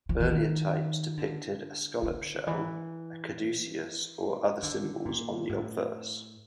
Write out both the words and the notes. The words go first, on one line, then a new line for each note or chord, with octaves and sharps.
Earlier types depicted a scallop shell, a caduceus, or other symbols on the obverse.
F3
E3
D#3
D3
D3
E3
D3
A#2
A2